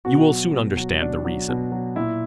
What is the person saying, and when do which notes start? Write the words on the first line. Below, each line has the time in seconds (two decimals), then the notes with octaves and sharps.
You will soon understand the reason.
0.05 B2 F#4
0.29 F#3
0.53 B2
0.77 F#3
1.01 B2 D4
1.25 F#3
1.49 B2
1.72 F#3
1.96 A#2 E4